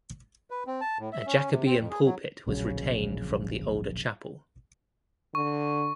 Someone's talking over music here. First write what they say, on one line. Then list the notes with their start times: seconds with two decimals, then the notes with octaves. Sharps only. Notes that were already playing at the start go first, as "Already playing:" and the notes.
A Jacobean pulpit was retained from the older chapel.
0.51 B4
0.67 C4
0.81 A5
0.99 A2
1.12 E5
1.26 C#4
1.50 C3
1.66 C4
1.79 F2
1.90 G#4
2.04 F#3
2.46 D1 A#1 C#3 F#3
5.35 D3 C#6